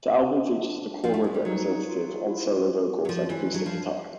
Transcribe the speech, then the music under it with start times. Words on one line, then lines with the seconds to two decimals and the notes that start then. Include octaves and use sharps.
The album features the Corwood Representative on solo vocals and acoustic guitar.
0.22 D4
1.04 F3
1.14 A3
1.24 G#3
1.34 G3
1.45 F#3 D#4
1.86 F4
2.27 E4
2.48 F4
2.68 G4
2.81 F#4
2.96 G4
3.05 F#3
3.09 F3 F#4
3.29 E3 E4
3.50 F#3 D4
3.66 F3